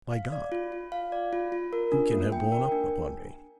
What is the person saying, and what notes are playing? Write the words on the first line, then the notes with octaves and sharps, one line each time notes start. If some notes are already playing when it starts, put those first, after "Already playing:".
By God! who can have blown upon me?
F5
D5
F4
F4
F5
D5
F4
F4
A#4
D4
A#3
G5
A#4
D4